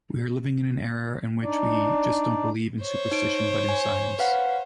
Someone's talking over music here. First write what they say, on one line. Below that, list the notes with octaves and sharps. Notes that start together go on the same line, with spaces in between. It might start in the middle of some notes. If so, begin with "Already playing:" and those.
We are living in era in which we just don’t believe in superstition but in science.
D4 D#4 D5
C5 C#5
D#4 D7
G#5
B4 F5 F#5